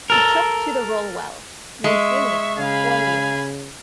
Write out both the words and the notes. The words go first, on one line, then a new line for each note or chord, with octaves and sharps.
He took to the role well, maintaining it for four years.
A4 A#4
G#3 E5 C#6
C#3 F5 G#5 B5